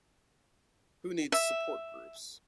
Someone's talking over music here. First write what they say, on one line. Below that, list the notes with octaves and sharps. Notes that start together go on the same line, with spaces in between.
Who needs support groups?
E5